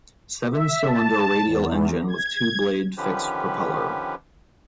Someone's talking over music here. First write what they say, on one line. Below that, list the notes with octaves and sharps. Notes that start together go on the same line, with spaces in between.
Seven-cylinder radial engine with two-blade fixed propeller.
E5
A5
E2
G#6
D3 D#3 F3 C#4 G4 B4